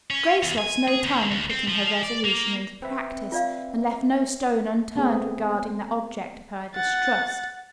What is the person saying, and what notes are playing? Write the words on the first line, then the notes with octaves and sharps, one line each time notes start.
Grace lost no time in putting her resolution into practice, and left no stone unturned regarding the object of her distrust.
C#4
E2
G#5
G#4
D#2
D2
C4
F3
F3
D5
A#3
C4 B4 E5
F4 D5 F5
A3 B3 C4 G#4
F#5 A6